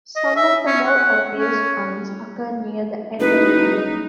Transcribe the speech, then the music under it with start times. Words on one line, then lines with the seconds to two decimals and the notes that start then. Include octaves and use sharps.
Some of the more obvious ones occur near the end of the game.
0.16 D#5
0.36 E5
0.66 C#4
0.87 F#5
1.35 C#4
3.20 F#1 D#4 B4